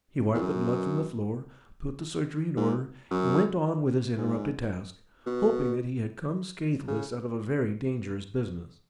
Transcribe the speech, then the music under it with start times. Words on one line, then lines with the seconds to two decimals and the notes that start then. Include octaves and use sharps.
He wiped the blood from the floor, put the surgery in order, and went on with his interrupted task, hoping that he had come scathless out of a very dangerous business.
0.34 E2
0.41 F#2
2.57 G#2
3.11 F#2
4.18 G#2
5.26 B2
6.88 C#3